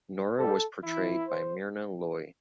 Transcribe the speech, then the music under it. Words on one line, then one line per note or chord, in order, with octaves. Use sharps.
Nora was portrayed by Myrna Loy.
G2 G3 A4
E3 E4
C5